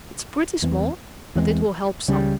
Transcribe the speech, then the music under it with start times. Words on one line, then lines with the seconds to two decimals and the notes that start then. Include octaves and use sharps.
"It's pretty small, but it will help some."
0.62 E2 E3 G#3 C4
1.35 E2 E3 G#3 C4
2.08 C#2 C#3 G3 C#4